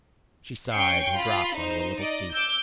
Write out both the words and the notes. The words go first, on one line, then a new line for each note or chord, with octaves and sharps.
She sighed and dropped onto a little seat.
C#4 G5 C#6 G6 C7
F4 B5
D#4 C5
D5 D#5
D6 E6 G6